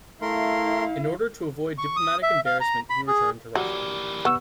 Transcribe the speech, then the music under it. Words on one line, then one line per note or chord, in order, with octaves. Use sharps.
In order to avoid diplomatic embarrassment he returned to Russia.
A3 E4 A#4 F5 C6
C#6
D#6
E5
F5
A#5
B5
G#4
E3 F#3 A#3 G4 D5
B3 C#6 E6